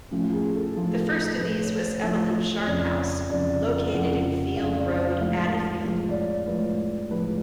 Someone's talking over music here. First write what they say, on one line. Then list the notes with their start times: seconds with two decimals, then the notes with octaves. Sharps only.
The first of these was Evelyn Sharp House, located in Field Road, Adeyfield.
0.11 A2 F3 A3 C#4
0.32 G#4
0.55 A4
0.75 A2 F3 A3 A4
1.38 A2 F3 A3 B4
1.60 C#5
1.81 C#5
2.02 A2 F3 A3
2.60 C#5
2.66 F2 C#3 F3 D5
3.29 F2 C#3 F3 D5
3.93 F2 C#3 F3 F#5
4.56 F2 C#3 F3 F5
4.77 D5
4.99 F5
5.20 A2 F3 G#3 F5
5.83 A2 F3 G#3
6.09 D5
6.15 C#5
6.47 A2 F3 G#3 B4
7.10 A2 F3 G#3 B4